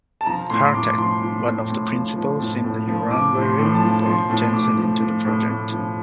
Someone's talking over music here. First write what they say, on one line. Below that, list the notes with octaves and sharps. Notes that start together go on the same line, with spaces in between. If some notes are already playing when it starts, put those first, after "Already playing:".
Harteck, one of the principals in the "Uranverein", brought Jensen into the project.
A5
F3 A#5
A2 C6
A2 D6
F3 C6
F3
A2
A2
F3
F3
A2
A2
F3
F3 D6
A2
C6
A2
A5
F3
F3 C6
A2
A2 D6
F3
F3
A2
A2
F3